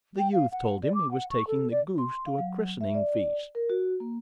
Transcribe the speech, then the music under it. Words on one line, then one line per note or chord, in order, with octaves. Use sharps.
The youth told him he was taking the goose to a christening feast.
G5
F5
F#5
D5
D6
F#5
C#6
A4
D5
C6
F5
F#3
E5
D5
A#4
F#4
A#3